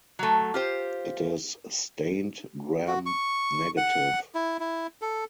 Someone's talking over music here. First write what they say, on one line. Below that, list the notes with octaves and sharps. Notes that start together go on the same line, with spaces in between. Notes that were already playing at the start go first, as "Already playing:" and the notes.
It is stained gram-negative.
F#3 A3
F4 G4 C5
F#4
C#6
F#5
E4
E4
A4